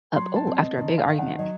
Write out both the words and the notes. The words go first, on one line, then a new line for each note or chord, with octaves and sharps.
a b oh, after a big argument?
F#3 C6
A5
C4
D#5
D#3 D#5
F5
D#3
F#5
F#3 D#5